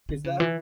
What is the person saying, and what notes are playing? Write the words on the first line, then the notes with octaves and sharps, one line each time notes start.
is that
D3
C#3
E3